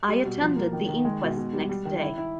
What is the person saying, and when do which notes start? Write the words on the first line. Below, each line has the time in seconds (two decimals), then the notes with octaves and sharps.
I attended the inquest next day.
0.08 G3
0.25 B2
0.41 F3
0.56 A#3
0.73 D#3
0.88 D#3
1.05 G#3
1.21 B2
1.37 B2
1.53 G3
1.69 G3
1.85 D#3
2.02 E4
2.18 E4